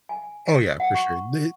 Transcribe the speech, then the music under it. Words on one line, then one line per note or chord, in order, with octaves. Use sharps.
Oh, yeah, for sure. The
G#5
F#5
C#6